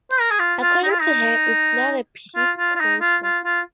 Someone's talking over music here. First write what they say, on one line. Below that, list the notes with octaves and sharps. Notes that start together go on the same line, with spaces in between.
According to her, It's not a peace process.
C5
A#4
G#4
F4
F4
D#4
F4
D#4
F4
F4
F4
D#4
F4
F4
F4